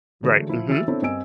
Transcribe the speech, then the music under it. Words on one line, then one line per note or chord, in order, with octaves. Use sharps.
Right, mhm.
D3 E3 F#3 G#3 A3
F3 E4
E3 F#3 E5 E6 A6
C4 D4 E4 A4 C#5
G2 C4 D#5 G#5 E6 D7